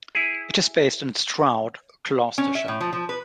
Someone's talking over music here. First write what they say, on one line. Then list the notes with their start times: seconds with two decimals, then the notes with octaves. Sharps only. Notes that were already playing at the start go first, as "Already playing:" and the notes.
It is based in Stroud, Gloucestershire.
0.15 E4 G#4
2.38 C#4
2.55 E5
2.68 A2
2.80 F3
2.93 F3
3.09 B4